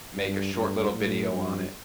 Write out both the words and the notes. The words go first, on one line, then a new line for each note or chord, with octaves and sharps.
make a short little video on it.
G2
G2
A2
G2